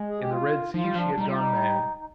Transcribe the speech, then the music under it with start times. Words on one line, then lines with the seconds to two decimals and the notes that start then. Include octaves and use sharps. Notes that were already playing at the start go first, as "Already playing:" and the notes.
In the Red Sea she had gone mad.
Already playing: G#3
0.09 G#4
0.19 G4
0.30 F4
0.74 F3 F4
0.84 G3
0.95 F3 D4
1.17 G3 D#4
1.26 F4
1.35 D#4
1.97 D#4